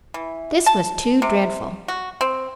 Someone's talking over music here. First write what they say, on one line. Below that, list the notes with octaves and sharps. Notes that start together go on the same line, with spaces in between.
This was too dreadful.
E3
A5
C3
F#4
C4